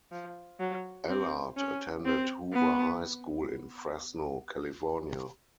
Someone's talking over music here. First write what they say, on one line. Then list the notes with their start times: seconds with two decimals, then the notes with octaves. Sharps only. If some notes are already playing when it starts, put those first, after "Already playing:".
Ellard attended Hoover High School in Fresno, California.
0.12 F3
0.60 F#3
1.09 C4
1.57 C#4
2.05 C4
2.53 B3